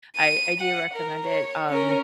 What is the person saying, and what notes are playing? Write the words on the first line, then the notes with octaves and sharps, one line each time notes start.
I I do recommend it, um,
D#7
F#5
A#4
C#5
C#4 A#4